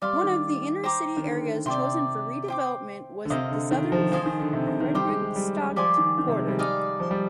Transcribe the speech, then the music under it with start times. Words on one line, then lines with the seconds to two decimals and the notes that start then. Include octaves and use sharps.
One of the inner city areas chosen for redevelopment was the southern Friedrichstadt quarter.
0.02 G3 D5 F5 C6
0.23 D#3
0.84 C5 G5 A#5 D6
1.17 D#3
1.25 D3
1.66 C3 D5 G5 C6
2.48 C5 G5 D6
3.25 D3
3.30 C3 F4 A#4 D#5
3.51 D3
3.71 D#3
3.92 F3
4.12 F3 G#4 C5 D#5 G#5
4.25 D#3
4.40 D3
4.53 C3
4.67 C3
4.80 D#3
4.94 G3 G4 C5 G5
5.08 G#3
5.22 G#3
5.36 G3
5.76 F3 G4 D5 G#5 C6
5.97 D#3
6.18 D#3
6.28 C3
6.38 G#3
6.48 G3
6.59 G3 D#4 G#4 D5 F5
7.00 F3
7.11 G3